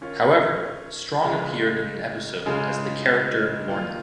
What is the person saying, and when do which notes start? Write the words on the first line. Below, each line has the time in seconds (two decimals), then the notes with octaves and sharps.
However, Strong appeared in an episode as the character Lorna.
0.01 D#3 C#4 F4
1.23 C#3 G#3 F4
2.46 C#3 G#3 F4 G#4
3.69 D#3 A#3 F4